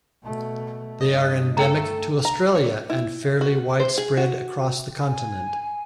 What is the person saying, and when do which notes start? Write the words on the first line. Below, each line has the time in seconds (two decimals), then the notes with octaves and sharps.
They are endemic to Australia and fairly widespread across the continent.
0.23 B2 A3
1.01 G2 D#5
1.57 A3 A4 G5 A#5
2.25 A#5
2.55 C#5
2.90 E4
3.41 F#4
3.80 C5
3.98 G#4
4.17 F#4
5.02 G#5